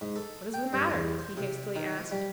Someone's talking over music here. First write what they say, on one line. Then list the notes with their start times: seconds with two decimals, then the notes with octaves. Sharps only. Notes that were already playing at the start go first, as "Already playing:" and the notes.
"What is the matter?" he hastily asked.
0.01 G#2
0.16 A4
0.54 G5
0.73 G2
0.91 E2
1.19 C5
1.37 C3
1.76 D#3
1.97 F3
2.11 G3